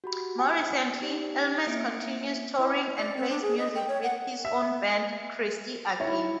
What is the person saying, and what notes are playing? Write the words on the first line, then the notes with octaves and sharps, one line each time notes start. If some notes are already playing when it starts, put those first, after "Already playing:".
More recently, Elmes continues touring and plays music with his own band, Christie Again.
F#4 G4 B5
G#5 C#7
D#4 G4 D5
A#3 C4 E4 E5 C#7 D7
C4 E4 C5 D#5 B5 D6
D5
C4
D4
G#4
D#5
G5
C#5
F#5
E5
E4 C#5